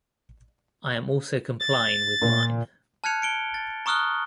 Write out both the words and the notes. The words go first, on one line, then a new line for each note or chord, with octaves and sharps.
I am also complying with mine.
A6
A#2
A5 F6 F#6 G#6 C#7 F7
C#7 D7 G7
A6
A#5 C#6 D#6 F6 F#6 G7